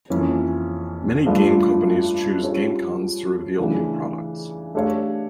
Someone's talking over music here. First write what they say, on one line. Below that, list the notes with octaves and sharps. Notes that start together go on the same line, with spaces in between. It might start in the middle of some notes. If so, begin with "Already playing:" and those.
Many game companies choose game cons to reveal new products.
F2 E3 A#3 C#4
G2 F3 A3 D4 F4
F3 C#4 G4 C#5
C#3 E3 A3 D4
A3 D4 G4 C#5 F5